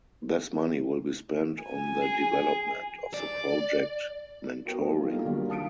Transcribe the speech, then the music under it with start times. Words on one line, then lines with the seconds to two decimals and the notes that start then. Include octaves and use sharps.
This money will be spent on the development of the project "Mentoring".
1.62 G#5
2.02 G#4
3.14 D5
4.65 B3 F#4 A#4 G5
4.88 F3 D#4
5.08 G3 A#3 D#4 F4 G#4 A4
5.25 D3 D#3 F#3 G3 A#3
5.49 F5 A5 D#6 C#7 D7